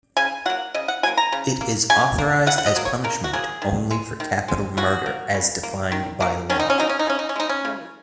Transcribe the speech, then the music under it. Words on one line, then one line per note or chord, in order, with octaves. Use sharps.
It is authorized as punishment only for capital murder, as defined by law.
C#3 G#5
F#3 A#3 F#5
C#3 D#5
F#5
F#3 A#3 G#5
A#5
C#3
A#3
C#3 G#5
A#3
C#3 F#5
F#5
D#5
F#3 A#3
C#5
C#3 A#4
F#4
F#3 A#3 G#4
D#3
G#3
D#3
G#3
C#3 F#4
A#3
C#3
A#3
D#3
F#3 A#3
D#3 C#4
D#4
C#4
F#3 A#3 D#4
C#4
D#4
C#3 C#4
D#4
C#4
G#3 D#4
C#4
C#3